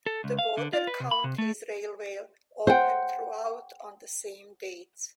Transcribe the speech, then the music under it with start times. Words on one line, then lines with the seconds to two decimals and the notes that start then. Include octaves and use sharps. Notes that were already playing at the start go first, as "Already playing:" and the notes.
The Border Counties Railway opened throughout on the same dates.
0.06 A4
0.24 C#2
0.39 F5
0.58 D3
0.73 F4
0.87 B4
1.00 C3
1.11 B5
1.24 C3
1.38 A3
2.67 C5 F#5 G5